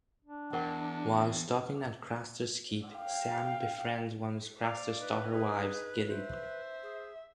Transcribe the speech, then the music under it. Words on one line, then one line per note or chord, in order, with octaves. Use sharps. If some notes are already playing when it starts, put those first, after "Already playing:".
While stopping at Craster's Keep, Sam befriends one of Craster's daughter-wives, Gilly.
D4
E2 A#4 F#5 A5
F5 G5
D5 F5
D#4 B4
G#4 B4
C5 E5
G#4